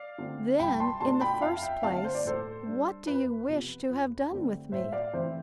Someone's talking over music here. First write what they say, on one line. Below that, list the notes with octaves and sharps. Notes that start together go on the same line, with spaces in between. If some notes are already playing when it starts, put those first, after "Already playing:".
Then, in the first place, what do you wish to have done with me?
Already playing: D5 F5
D3 A3 C4
C2 G5 B5
A5 C6
B2 A3 D4 A5 C6
G5 B5
B5
F2 F5 A5
E5 G5
D3 A3 C4 F5 A5
C5
D5
A2 A4 C5
G3 D4
F2 B4
C3 F3 B3
F2
D3 A3 C4
A2 C5 E5
D5 F5
E3 A3 C4 C5 E5